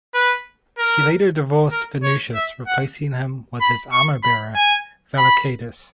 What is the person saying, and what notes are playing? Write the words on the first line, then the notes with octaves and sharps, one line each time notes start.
She later divorced Venutius, replacing him with his armour-bearer, Vellocatus.
B4
A#4
A#4
C#5
E5
F#5
B5
C#6
B5
G#5
B5